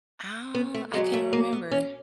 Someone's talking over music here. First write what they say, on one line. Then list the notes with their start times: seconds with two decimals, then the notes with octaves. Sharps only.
Oh, I can't remember.
0.55 B3
0.74 A3
0.94 E2 C#3 F#3 G#3
1.13 A3
1.33 A#3
1.53 B3
1.71 C#4